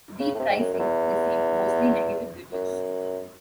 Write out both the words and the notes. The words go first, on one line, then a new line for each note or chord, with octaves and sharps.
"Deep Rising" received mostly negative reviews.
C#3
A2
C3
G#2
F#2
F#2
E2
F#2